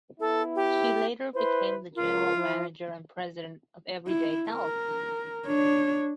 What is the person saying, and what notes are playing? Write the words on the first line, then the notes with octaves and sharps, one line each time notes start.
She later became the general manager and president of Everyday Health.
B3 E4 A4
G4
E4 B4 C5
C#2 F4 A#4
F3 E4
E4
A#4
D4 C#5